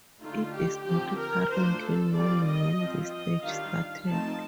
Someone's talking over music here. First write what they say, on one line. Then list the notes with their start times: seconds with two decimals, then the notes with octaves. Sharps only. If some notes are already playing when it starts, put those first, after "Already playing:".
It is not currently known when this stage started.
0.20 D3 A3 D#4 F4
0.52 G4
0.85 D3 F3 C4 G4
1.17 A#4
1.49 A3 D4 F4 C5
1.81 A4
2.14 G3 C4 F4 D5
2.46 D#5
2.78 F3 C4 F4
3.11 D#5
3.43 D#3 G3 D4 F4 F5
4.07 F3 A3 C4 D#4 A5